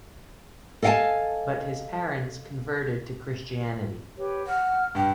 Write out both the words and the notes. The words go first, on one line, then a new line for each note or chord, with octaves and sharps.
But his parents converted to Christianity.
A4 D#5 F5 F#5 G#5 A5
G4 B4 C#5
F#5 F6
G2 G5